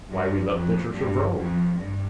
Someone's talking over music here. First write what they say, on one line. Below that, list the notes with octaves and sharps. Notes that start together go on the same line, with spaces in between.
Why we left the church of Rome.
G2
F2
G2
F2
G2